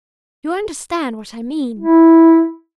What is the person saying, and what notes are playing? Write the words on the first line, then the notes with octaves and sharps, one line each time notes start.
You understand what I mean.
E4